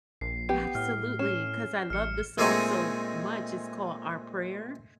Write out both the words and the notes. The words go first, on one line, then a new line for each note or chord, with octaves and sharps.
Absolutely, 'cause I love the song so much, it's called Our Prayer,
A#1 C7
B3 G4
A2 F6
C#4 F6 E7
A1 F6 C#7
A#2 G#3 A3 C4 D#4 G#4